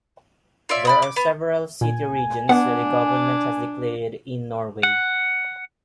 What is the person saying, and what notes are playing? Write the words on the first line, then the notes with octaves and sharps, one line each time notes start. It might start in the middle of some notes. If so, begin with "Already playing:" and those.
There are several "city regions" that the government has declared in Norway.
F4 C#5 D5 E5
D5 B5 D#6
D6
B3
A#2 G#5
B3 D4 F#5
F#5